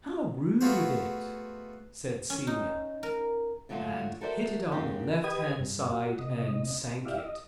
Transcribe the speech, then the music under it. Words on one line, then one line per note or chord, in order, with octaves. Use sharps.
"How rude of it," said Celia, and hit it on the left-hand side, and sank it.
A3 B3 F4 F#4 G#4 C5
C#4
D#4
A#4
A#2 D3 F#3 A3 F4 F#4
F#4 A4 A#4 C5 D5 E5
F#2 C#3 A#3 C#4 G4
G4 B4 D#5 D#6 G#6
G2
F#4
C3 D#5
E4 G4 D5 E5 F5
D#5